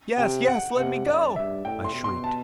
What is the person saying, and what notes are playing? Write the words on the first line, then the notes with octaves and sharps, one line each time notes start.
'Yes, yes! let me go,' I shrieked.
C3 G5
F#5
C3 F#5
F#2 D5
G2 E5
A2 G5
C6
B2
C6
A5